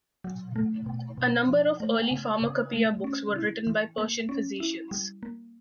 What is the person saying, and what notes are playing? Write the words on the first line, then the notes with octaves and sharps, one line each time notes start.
A number of early pharmacopoeia books were written by Persian physicians.
F#3
A3
B2
B2
F3
A3
C#3
C#3
A3
C#4
E4
E3
A#3
C#4
E4
G3
A#3